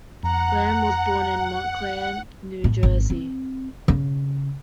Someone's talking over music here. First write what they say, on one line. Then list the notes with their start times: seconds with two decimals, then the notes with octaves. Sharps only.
Lamb was born in Montclair, New Jersey.
0.23 F2 F#5 A#5
2.64 A2
2.83 G#1
3.10 C4
3.88 C#3